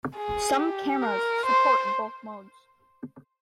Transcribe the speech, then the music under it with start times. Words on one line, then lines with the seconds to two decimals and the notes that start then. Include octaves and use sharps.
Some cameras support both modes.
0.16 G#4
0.59 G4
1.02 A#4
1.46 C5